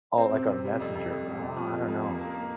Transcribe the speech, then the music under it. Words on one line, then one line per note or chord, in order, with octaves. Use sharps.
Oh, like, on Messenger. Oh, I don't know.
C4
C3
C3
G3
F2
F2
F2
G3
F2
F3
F2
F2
A#3
A#3
A#3